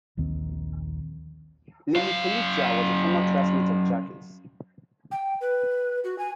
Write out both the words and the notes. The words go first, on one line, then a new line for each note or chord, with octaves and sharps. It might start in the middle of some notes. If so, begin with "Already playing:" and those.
Lilly Pulitzer was a former classmate of Jackie's.
A#1 D#2 D#3 C4
F#2 F5
G5
B4
F#4
G#5